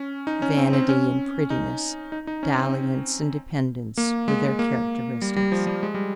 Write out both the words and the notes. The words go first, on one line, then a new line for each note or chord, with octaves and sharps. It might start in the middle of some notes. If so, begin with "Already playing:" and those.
Vanity and prettiness, dalliance and dependence were their characteristics.
Already playing: C#4
D#4
C#4
C4
C4
C#4
D#4
D#4
D#4
C#4
C4
A#3
G#3
A#3
G3
G3
F3
G3
G#3
G3